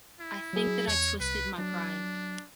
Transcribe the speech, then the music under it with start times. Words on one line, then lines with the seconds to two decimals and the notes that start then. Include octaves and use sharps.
I think that I twisted my pride.
0.20 E4
0.53 F#3 G#4
0.88 E2 C#5
1.21 C2 B4
1.58 F#3 D4